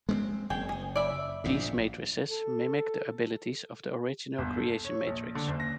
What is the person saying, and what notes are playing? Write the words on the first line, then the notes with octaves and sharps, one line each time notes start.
These Matrices mimic the abilities of the original Creation Matrix.
G#3 A3 C4
F#1 G#4 G5
G#4
D5 E5 B5
A#1 G#2
A4
G1
A4
C#5
A#1
D3
F#1
A#6